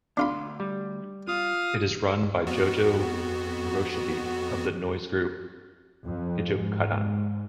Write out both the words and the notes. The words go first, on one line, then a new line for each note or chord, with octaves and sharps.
It is run by Jojo Hiroshige of the noise group Hijokaidan.
D2 D4 F4 B5 C6
G3
F4 F5 D#6
F2 B3 F#4
F2
G#2